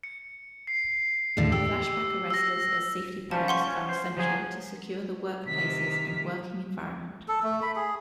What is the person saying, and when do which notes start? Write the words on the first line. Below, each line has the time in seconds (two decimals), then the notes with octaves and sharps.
Flashback arrestors as safety products are essential to secure the workplaces and working environment.
0.03 C#7
0.67 C7
1.37 D#2 A2 D3
1.52 G4 E6
2.30 E6 A#6
3.31 F3 G3 C#4 A5
3.48 F#5 C6 C#6
3.67 C#4
3.89 C5
4.17 F3 F#3 G#4
5.47 C3 D#3 B6
7.28 A4
7.43 A3
7.62 B5
7.76 G#4